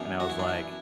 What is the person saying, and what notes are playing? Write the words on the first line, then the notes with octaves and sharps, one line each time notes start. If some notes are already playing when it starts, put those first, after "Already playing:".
and I was like,
Already playing: F#2 E3 B3 D4
F#4
E4
D4
E4